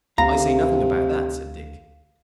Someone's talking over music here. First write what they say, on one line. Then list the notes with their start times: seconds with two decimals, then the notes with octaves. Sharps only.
"I say nothing about that," said Dick.
0.18 D2 C3 F5 A#5